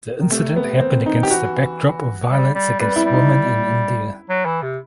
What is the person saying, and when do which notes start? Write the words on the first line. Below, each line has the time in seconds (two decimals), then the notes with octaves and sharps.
The incident happened against the backdrop of violence against women in India.
0.20 D#3
0.32 C3 A3
0.48 D#3
0.56 B3
0.64 C3
0.80 D#3 C4
1.05 D#3 D#4
1.23 G4
1.30 E3 F#4
2.30 G3
2.55 G3
2.80 G3 B4
2.96 E4
3.05 G3
3.13 D#4
3.30 E4
4.29 F#3
4.45 E3
4.62 C3